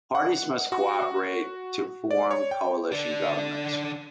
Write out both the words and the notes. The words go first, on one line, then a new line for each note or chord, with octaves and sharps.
Parties must cooperate to form coalition governments.
F#5
F#4
D5
C#5
G5
D3 D5